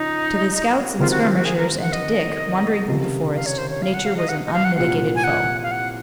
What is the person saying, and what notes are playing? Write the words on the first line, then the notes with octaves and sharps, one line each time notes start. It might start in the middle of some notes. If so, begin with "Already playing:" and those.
To the scouts and skirmishers and to Dick, wandering through the forest, nature was an unmitigated foe.
Already playing: C#3 F3 D#4
C2 C3 D#3 G#3 C4 F4
F#4
F4
F#4
G#4
A#4
F#5
D#5
C#2 C3 D#3
F5
C#5
C5
C#5
F5
F#5
F5
D#5
F#5
D#5
F5
F#5
C2 A#2 F3 G#3 C4 F#5
G#5
F#5
F5
F#5